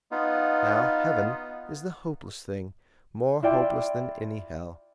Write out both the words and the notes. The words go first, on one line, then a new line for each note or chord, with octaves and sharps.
Now, heaven is the hopeless thing, more hopeless than any hell.
B3 D#4 F4
E4 F4 D5 G5